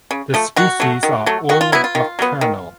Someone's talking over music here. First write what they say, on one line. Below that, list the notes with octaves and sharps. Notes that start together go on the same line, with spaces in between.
The species are all nocturnal.
C#3
F3 A3
D#3 F#4
F#3 A3
D#3
F#3 A3
D#3 F#4
F4
F#3 B3 E4
F4
D#3
F#3 B3
D#3